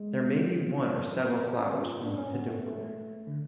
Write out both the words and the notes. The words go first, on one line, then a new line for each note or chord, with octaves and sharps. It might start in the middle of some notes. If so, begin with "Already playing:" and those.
There may be one or several flowers on the peduncle.
Already playing: G#3
F#3
F#3
F3
F#3
A3
B3
C#4
F4
D4
C#4
B3
A3
D3